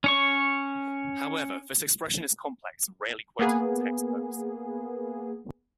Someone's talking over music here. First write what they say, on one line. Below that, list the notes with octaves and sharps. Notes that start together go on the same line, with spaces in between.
However, this expression is complex and rarely quoted in textbooks.
C#4 C#5 C#6
A#3 B3 G#4